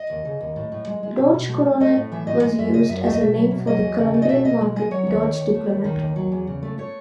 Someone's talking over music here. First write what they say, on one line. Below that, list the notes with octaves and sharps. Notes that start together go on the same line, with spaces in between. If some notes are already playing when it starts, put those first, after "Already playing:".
Dodge Coronet was used as a name for the Colombian-market Dodge Diplomat.
Already playing: D#5
D#2
C#3
D#2
A2
A2
G#3
G#3
B2
B2
A3
A3
A3 D#5
A2
E3 E5
A2 D#5
G#3 D#5
F#2 E5
C#3 D#5
F#2 E5
A3 E5
D#5
B2 E5
F#3
B2
F#3 D#5
E2
C#3
A3
D#5
B2 E5
B2 D#5
G#3
G#3 D#5
F#3 C#5
D#2
D#3
D#2
A3
D#2
D#3
D#2
F#3
E2
C#3
A3
A3 C#5